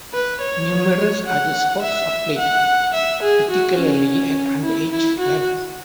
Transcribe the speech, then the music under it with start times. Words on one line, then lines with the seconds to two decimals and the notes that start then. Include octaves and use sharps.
Numerous other sports are played, particularly at under-age level.
0.13 B4
0.41 C#5
1.26 F#5
1.82 E5
2.38 F#5
2.94 E5
3.23 G#4
3.50 F#4
3.79 C#4
4.63 E4
4.92 E4
5.19 F#4